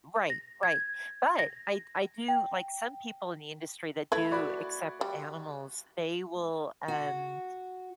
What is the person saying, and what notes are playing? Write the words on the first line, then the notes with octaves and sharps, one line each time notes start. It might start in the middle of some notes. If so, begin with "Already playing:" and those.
Right, right, but I I do like, some people in the industry that do accept animals, they will, um
A#6
G#6
A#6
G5
A3 E4 B4 G#6
F#4 D5 B5
G3
F#4